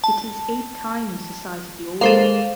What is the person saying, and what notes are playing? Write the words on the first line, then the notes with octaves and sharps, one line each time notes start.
It is eight times the size of the old one.
A5
G#3 A#3 A4 C5 F5